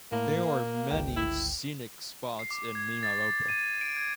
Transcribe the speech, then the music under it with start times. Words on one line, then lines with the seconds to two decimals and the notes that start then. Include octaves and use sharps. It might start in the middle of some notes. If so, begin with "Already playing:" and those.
There are many scenic spots in Mimaropa.
0.12 A2 A#3
0.43 F5
0.91 G1 C#2 G5
1.16 E4
2.39 C7
2.51 D6
2.75 G#6
3.03 A6
3.21 A6
3.49 D#7
3.81 D7
3.97 G#6